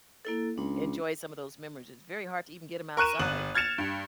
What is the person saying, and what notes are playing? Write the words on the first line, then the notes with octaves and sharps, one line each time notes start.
eh, e enjoy some of those memories, it's very hard to even get 'em outside.
A#3 E4 A4
C#2 D4
A#4 C#6 F#6 D#7 E7
G1 F#7
F6 G#6 A6 C#7 E7 F7
G2